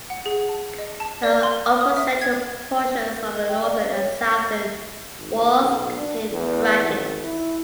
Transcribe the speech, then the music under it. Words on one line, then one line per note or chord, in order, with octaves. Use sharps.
The upper central portions of the northern and southern walls contain brackets.
F#5
G#4
A5
D#5
A5
D5
C6
D#6
E5
G#6
A#4
D#5
G5
D5
F5
C#5
G#1
B1
D4
E2
G#1
E4